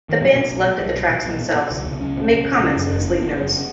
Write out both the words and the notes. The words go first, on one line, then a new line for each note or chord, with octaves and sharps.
The band selected the tracks themselves, and made comments in the sleeve-notes.
D#3
B2 F#3
B2
B1
B1
B1 F#3
B1
B1
B2
B2
B2
C#2
C#2
C#2 C#4
B2
C#2
B2
C#3
F#2
F#1
F#2
F#1 B3
C#3
C#3